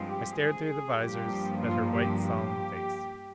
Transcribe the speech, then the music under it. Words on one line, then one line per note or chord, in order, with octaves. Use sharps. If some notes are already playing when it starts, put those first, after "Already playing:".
I stared through the visors at her white solemn face.
Already playing: G2 F3 G#3 C4
G4
G#4
G2 F3 A#3 G4
F4
G4
G4